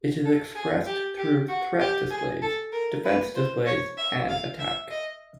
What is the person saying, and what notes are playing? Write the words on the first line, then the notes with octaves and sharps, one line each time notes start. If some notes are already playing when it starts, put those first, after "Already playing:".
It is expressed through threat displays, defense displays, and attack.
A4
G#4
G4
G4
F#4
G4
G#4
A4
A#4
B4
C5
C#5
E5
F5
E5
D#5